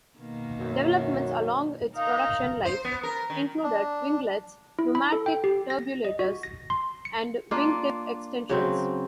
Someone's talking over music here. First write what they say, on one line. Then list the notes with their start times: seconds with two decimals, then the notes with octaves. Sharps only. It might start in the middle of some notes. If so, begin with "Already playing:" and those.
Developments along its production life included winglets, pneumatic turbulators, and wingtip extensions.
0.19 B2 D#3 A#3
0.59 F#2
1.96 D#4 A#4 F5
2.65 C5
2.85 B3
3.03 A#4
3.30 D#3
3.63 D4
4.79 E4
4.95 B5
5.12 A4
5.26 G5
5.44 G4
5.70 A#6
6.05 D#5
6.19 F#4
6.43 A#6
6.70 C6
7.05 C#7
7.51 A#3 D4 F4
8.49 C#3 F#3 C4